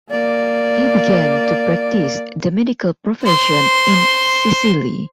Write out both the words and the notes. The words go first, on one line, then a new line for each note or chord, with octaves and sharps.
He began to practise the medical profession in Sicily.
A#3 D5
C5 C6